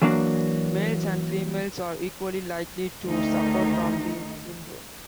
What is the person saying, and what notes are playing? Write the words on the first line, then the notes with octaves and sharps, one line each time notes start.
Males and females are equally likely to suffer from the syndrome.
E3 F#3 A#3 D4 F#4
D2 D#3 D#4